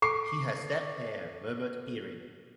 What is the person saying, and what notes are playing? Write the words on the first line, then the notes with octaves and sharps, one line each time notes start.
"He has that air," murmured Erin.
A4 C#6 D6 C7